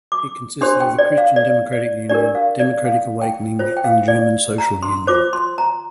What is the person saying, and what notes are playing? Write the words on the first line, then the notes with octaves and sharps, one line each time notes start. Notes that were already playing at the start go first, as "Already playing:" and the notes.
It consisted of the Christian Democratic Union, Democratic Awakening and the German Social Union.
D6
D4 G4 C5 C6
G5
D5
F5
D5
D5
D4 G4 A#4 D5
F5
D5
F5
G5
F4 C5
G5
F5
D5
A#5
C6
F4 C5 D6
C6
A#5